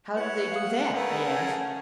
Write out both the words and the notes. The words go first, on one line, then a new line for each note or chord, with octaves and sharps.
"How do they do that?" I asked.
E4 B4 C#5 E5 F#5
A3 F5 D#6
A3 G#4 A#4 B4 F#5
C#4 G#5 A5